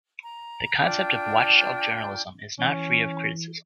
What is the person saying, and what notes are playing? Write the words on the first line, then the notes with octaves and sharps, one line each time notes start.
The concept of watchdog journalism is not free of criticism.
A#5
D4 F4 G5 G6
E3 C#4